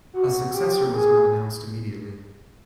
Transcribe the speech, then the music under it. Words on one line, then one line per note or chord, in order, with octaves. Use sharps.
A successor was not announced immediately.
F#4
G4
G#4